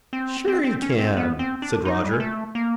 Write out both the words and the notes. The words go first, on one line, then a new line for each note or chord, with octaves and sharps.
"Sure you can," said Roger.
C4
C4
C4
C#4
C4
B3
C4
D4
D#4
G3
G#3
A3
A#3